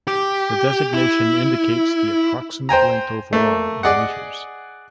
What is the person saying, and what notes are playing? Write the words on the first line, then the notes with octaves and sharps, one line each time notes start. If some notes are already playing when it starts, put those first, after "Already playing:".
The designation indicates the approximate length overall in meters.
G4
E4
C5 G5 G#5 A#5
A3 A#3
G#4 D5 D#5 F#5